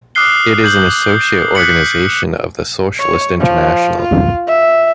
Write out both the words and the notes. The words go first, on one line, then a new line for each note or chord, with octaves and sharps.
It is an associate organisation of the Socialist International.
D6 D#6 F6 F#6 C7 G7
G6 F#7
F#6 B6 C#7 F#7
C#5
F3
F4
E5